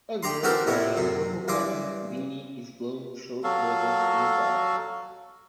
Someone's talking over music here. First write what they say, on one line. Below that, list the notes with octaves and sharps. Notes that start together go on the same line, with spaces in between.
A girl wearing a purple patterned beanie is blowing soap bubbles in a garden.
G4 A#5 C6
A3 C4 F#4 G4 A4 A#4
A2 C3 E4 C#5
F#2 C3
G2 E3 C6 D6
F#3 F#4 A4 F5